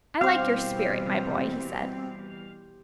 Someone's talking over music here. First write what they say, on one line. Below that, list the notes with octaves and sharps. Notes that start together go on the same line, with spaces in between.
"I like your spirit, my boy," he said.
B2 E3 G3 C4 G4 C5 F5